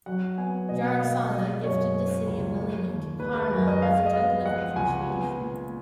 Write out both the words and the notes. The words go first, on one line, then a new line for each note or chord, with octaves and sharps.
Jarasandha gifted the city of "Malini" to Karna as a token of appreciation.
F#3 F#5
B3 G#5
B2 D#5
A#3 F5
F5
G#3 D#5
F#2 C#5
A#3
C#2
A#3
D#2
G#3 B4
B4
F#2 A#4
D#5
G#3 F5
D#5
B3 F5
F3 F#5
C#2 G#5
B3
A#2